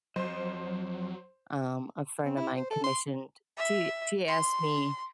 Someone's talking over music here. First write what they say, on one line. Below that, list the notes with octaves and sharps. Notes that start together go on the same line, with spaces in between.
Um, a friend of mine commissioned she she asked me
F2 F#3 C5 D#5 C6
C4
E4
C5
A4
C6
E5
C6